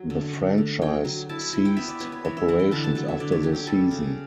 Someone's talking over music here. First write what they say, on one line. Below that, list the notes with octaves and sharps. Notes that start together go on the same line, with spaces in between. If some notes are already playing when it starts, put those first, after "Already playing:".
The franchise ceased operations after the season.
Already playing: F#3
D3
D3
D3
F#3 G5
F#3
E4 A5
B5
E4
G5
B3 E5
D5
B3 C#5
B4
E3 C#5
E5
E3 F#5
G5
D3 A5
A5
F#3 F#5
E5
D3 D5
C#5
F#3 G4
G4
G3 A4
C#3